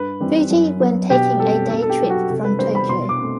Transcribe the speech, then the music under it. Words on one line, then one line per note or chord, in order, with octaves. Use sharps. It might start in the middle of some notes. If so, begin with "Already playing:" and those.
Fuji when taking a day trip from Tokyo.
Already playing: G2 B4
E3 G3 C4
F#2
F#3 B3
B2 G4
G3 C4 A4
B2 A4
A4
G4
F#3 B3
F#4
C3 A4
B4
E3 G3 B3 C5
B5
B2 C6
D6
A3 C4